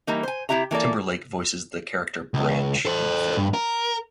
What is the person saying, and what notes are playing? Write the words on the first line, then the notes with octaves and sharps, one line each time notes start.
Timberlake voices the character "Branch" in the film.
E3 G3 A#3 D#4
C5 G#5
C3 A#3 E4 G4 E5 A#5
E3 A#3 A4 D5
C#2
A4 C5
G2
A#4